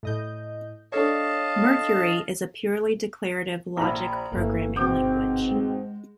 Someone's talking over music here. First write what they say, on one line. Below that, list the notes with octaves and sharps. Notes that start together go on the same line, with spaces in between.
Mercury is a purely declarative logic programming language.
A2 D#5 G6
D4 A4 C#5 D#5 F5 A5
A#1 E5 A#5 B5
G1 F#2 E3 A3 A#3
G#2 B2 C4 D6 G6
G#3